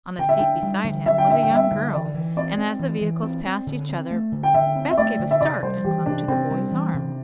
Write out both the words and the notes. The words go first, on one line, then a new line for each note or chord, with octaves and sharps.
On the seat beside him was a young girl, and as the vehicles passed each other Beth gave a start and clung to the boy's arm.
D3 G5
E5
D4 G5
G3
D3
D3 E5
G5
D4 E5
G5
G3
E5
D3
E3 D5
E3
C4 D5
C4
E3
E3
C4
C4
D3
C4
A3
D3
G5
D3 E5
C4
E5
A3 D5
D3
E5
C3 D5
G3 C5
E3 G4
C3 D4
C3 C4
G3
E3
C3